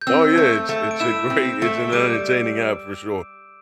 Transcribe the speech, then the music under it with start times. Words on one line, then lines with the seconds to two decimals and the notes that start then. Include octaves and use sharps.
Oh, yeah. It's It's a great It's an entertaining app for sure.
0.01 G6
0.07 C4 E6
0.37 A3
0.69 A3
0.91 D7
1.00 E4 E6 E7
1.30 C4
1.62 A3
1.92 G3 D6 D7